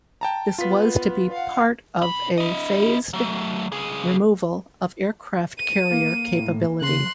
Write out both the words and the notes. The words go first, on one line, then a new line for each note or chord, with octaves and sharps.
This was to be part of a phased removal of aircraft carrier capability.
G5 A5 A#5
B3 F4 B6
F5 F#5
B2 B5
E4 D#5
F#3 A3
C#2 G#4
D#7
A#3
A2
C#3 C6 F#6